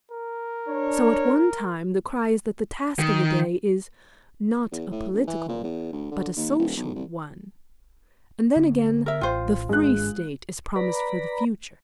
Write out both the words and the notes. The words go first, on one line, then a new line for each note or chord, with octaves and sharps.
So at one time the cry is that the task of the day is "not a political, but a social, one," and then again the "free State" is promised for the future.
A#4
D4 C#5
D#3
E2
A2
A#1
E3
A#2
E2
D2
D3
D#2
D#1
B1
C2
D3 B3
A#4 E5
A1 F4 C5 G5
G#1 G#3 D4 F#6
B4 D5 A#5 B5